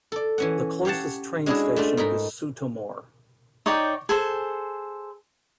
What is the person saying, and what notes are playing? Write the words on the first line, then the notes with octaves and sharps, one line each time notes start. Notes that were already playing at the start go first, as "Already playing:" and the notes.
The closest train station is Sutomore.
A4 D5
E3 C#4 F#5
G4 C#5 F5 F#5 A5
G#3 C#4 D4 E4 F#4 G#4
A3 D4 F4
G#2 D#4 A#4 B5
D#4 C#5 D5 G5
G#4 A4 C5